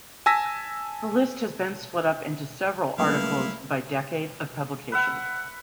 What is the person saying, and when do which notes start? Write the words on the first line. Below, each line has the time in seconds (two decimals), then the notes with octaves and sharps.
The list has been split up into several articles by decade of publication.
0.26 G#5 A5 E6 A#6 B6
2.98 C#2 F#3 G3 A3 A#3 E4 F5
4.92 B4 E5 F#5